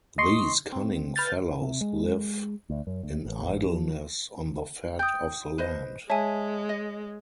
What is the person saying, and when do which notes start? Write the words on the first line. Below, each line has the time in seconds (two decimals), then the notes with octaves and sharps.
These cunning fellows live in idleness on the fat of the land.
0.18 D#5 C6 C#6
0.72 C4
1.16 B4 F6 G6 A6
1.62 C3
1.81 G#3
2.70 D2
2.87 F#2
3.03 D2
3.25 A1
3.66 F3
4.99 G5 D#6 G6
5.58 B4 C5 D#5
6.10 G#3 C#5 E5 G#5 A5
6.69 D#5